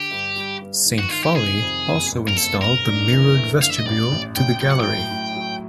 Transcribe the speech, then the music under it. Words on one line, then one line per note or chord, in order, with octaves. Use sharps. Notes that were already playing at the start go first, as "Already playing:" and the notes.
Saint Phalle also installed the mirrored vestibule to the gallery.
Already playing: D3 G4
G2
G3
B3
D#3
F#4
D#3 F4
G4
C3 G#4
F2
F#1
F#1
A#4
F#1 A4
F#1 A#4
D4
E3
A3
D4 F5
E5
D#5
A1 D5
A1
A1 G5
F#3 G5
F#5
G5
A2
A2
F#3